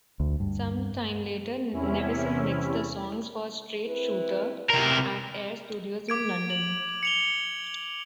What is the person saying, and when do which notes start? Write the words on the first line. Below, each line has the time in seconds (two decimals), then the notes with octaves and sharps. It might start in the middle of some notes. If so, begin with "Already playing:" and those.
Sometime later Nevison mixed the songs for "Straight Shooter" at Air Studios in London.
0.20 D2
0.40 G2
1.72 E2 C3 C#4 E4
3.86 C4 E4 B4
4.70 C3 A#4
6.09 D6 G#6 D7
6.50 F#7
7.03 C#7 F7 G7